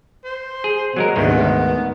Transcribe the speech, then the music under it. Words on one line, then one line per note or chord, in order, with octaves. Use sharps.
Y yeah,
C5
G#4
F#3 G#3 A#4
D2 G#2 D#3 B3